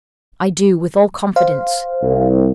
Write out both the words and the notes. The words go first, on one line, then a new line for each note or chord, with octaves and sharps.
"I do, with all confidence."
C5 F5
C2